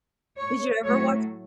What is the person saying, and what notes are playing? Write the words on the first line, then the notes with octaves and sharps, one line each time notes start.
Did you ever watch
C#5
A2 F#3 A3 C#5